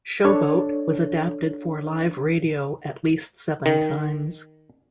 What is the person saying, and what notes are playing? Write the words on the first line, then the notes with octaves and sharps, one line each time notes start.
"Show Boat" was adapted for live radio at least seven times.
D4 A4 C#5
D#3